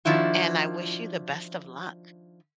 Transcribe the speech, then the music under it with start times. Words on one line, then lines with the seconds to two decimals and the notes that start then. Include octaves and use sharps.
and I wish you the best of luck.
0.05 D#3 F3 D4 E4 F#4